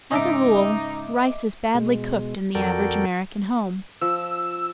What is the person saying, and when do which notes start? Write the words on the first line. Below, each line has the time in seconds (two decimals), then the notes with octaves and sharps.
As a rule rice is badly cooked in the average American home.
0.12 G#2 C#3 D#4 D#5 E5 D6
1.74 B2 G#3
2.55 F2 F#4 A4 A#4 D5 G5
4.01 F3 E6